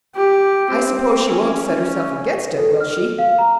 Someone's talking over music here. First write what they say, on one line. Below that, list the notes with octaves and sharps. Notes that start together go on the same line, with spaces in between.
"I suppose she won't set herself against it; will she?"
G4
C4
C#4
C#4
A4
F6
F5
A#5